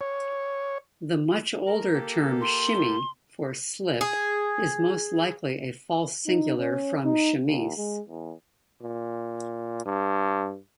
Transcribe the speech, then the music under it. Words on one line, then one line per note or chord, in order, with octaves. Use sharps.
The much-older term "shimmy" for "slip" is most likely a false singular from chemise.
C#5
A#4
A#3 G4 A4
C6
G#4
D#4
C#4
D#4
D#2
G#3
E2
A#2
G2